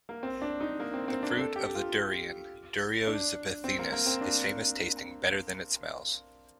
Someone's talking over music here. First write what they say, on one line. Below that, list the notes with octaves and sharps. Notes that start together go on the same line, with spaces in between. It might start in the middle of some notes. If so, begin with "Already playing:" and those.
The fruit of the durian, "Durio zibethinus" is famous, tasting better than it smells.
A#3
C4
D4
D#4
A#3
C4
C4
D4
A4
G4
F4
D4
C4
A#3
A#3
C4
D4